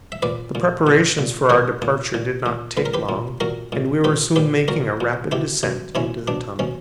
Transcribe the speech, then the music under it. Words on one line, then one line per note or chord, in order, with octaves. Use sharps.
The preparations for our departure did not take long, and we were soon making a rapid descent into the tunnel.
E5
A#2 B4 D5
A#2
A#2
A#2
A#2 A#4 C#5
A#2
A#2
A#2
A#2 B4
A#4
G4 B4
A#2
A#2 F#4 A#4
A#2
A#2 G4 B4
A#2 G4 B4
A#2 F#4 A#4
A#2
B2 E4 G4
B2
B2 C#4 E4
B2 D4
B2 C#4